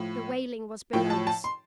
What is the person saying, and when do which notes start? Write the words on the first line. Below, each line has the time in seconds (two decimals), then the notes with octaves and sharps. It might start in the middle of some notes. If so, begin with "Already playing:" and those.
The wailing was below us.
Already playing: A2 F3
0.93 A2 F3 G5
1.10 A5
1.27 A5
1.44 C6